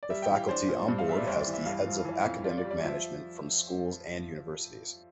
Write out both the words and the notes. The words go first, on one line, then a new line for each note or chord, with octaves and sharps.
The faculty on board has the Heads of academic management from schools and universities.
D5
G3 E5
G5
E3
F5
D4 C5
A#2
G2
F5
G3 E5
D5
C2 C5
D5
E3
E5
G2 F5
F3
E3
F2
F4 D5
D5
G3
D5
F3 E5